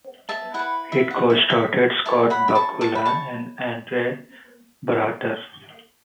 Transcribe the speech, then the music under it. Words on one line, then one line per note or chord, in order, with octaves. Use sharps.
It co-starred Scott Bakula and Andre Braugher.
E5 A5
E4 B4 F#5
E5
F#5
E5
E5
E4 C#5 E5 A5
F#5 B5
B5
A5 C#6
A5 C#6
B5
A5 C#6